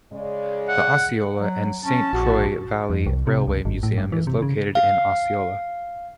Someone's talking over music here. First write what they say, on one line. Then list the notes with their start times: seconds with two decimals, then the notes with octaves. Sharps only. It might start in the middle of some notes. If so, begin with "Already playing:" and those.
The Osceola and Saint Croix Valley Railway Museum is located in Osceola.
0.11 C#3 G#3 D5
0.69 F#5
1.40 F#3
1.84 C#4 A5
2.13 A#1 F#4
2.90 F2
3.06 C2
3.27 C3
3.48 C#2
3.65 G#1
3.83 A2
3.98 G2
4.12 E3
4.27 C3
4.42 C#3
4.75 F5